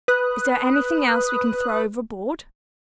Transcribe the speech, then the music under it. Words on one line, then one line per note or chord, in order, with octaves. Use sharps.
"Is there anything else we can throw overboard?"
B4 D#6 F#6